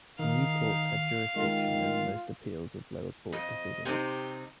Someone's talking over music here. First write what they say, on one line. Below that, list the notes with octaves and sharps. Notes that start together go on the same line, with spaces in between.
The new courts had jurisdiction over most appeals of lower court decisions.
D#3 D#4 F5
D#3 G#3 F4 A#4
F2 D#5
C3 C4 D#4 G4